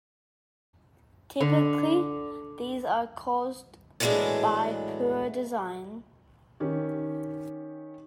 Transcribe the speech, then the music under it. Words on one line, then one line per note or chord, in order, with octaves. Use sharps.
Typically these are caused by poor design.
D3
A2 E3 F#3 G#3 B3 D4
D#3 C#4 G4